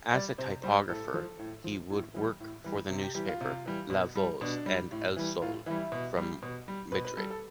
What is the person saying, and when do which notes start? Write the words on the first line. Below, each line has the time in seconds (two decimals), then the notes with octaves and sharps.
As a typographer he would work for the newspapers “La Voz” and “El Sol” from Madrid.
0.13 G3 D5
0.38 C3 C5
0.63 G3 C5
0.88 A2 A4
1.14 F3
1.39 A2
1.64 F3
1.90 A2
2.14 E3 G3
2.40 A2
2.64 E3 G3
2.90 C3
3.02 G4
3.15 E3 G3 G4
3.28 F4
3.41 C3
3.66 E3 G3
3.90 B2
4.16 G3
4.41 B2 D4
4.66 G3
4.92 A2
5.16 E3 G3
5.42 A2 F4
5.66 E3 G3 E4
5.92 B2
6.17 G3
6.43 B2
6.68 G3
6.92 B2 B4
7.05 B4
7.17 G3 A4
7.30 A4